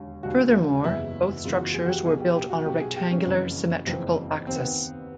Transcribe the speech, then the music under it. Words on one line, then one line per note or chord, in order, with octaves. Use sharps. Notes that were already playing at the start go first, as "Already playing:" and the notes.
Furthermore, both structures were built on a rectangular, symmetrical axis.
Already playing: E1 D#2 D3
E1 D#2 D3 F#4
F#1 E2 C#3 E3 E4
F#1 E2 C#3 E3 F4
F#4
G#4
F#4
G4
B1 B2 G#4
G4
G4
F#4
B1 B2 G4
G#4
G4
C#4
F#1 F2 C#3 E3
F#1 F2 C#3 E3 C4
D#2 D#3 C4
B3
C4